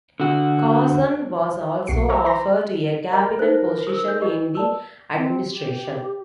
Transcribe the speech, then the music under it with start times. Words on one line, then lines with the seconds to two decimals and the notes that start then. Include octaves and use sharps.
Carson was also offered a cabinet position in the administration.
0.20 D3 F#4
1.87 B1 F#4 C7 C#7
2.09 C5 C#5 A#5 C#6 E6
2.24 C5 A#5 C6 A#6
3.13 A#4 D#5 A#5
3.39 D#4 A4 B4 C5 F#6
3.87 D#6 E6
4.08 G6
4.22 G4 D#5
4.55 D5 A5 E6
5.16 C4
5.49 G4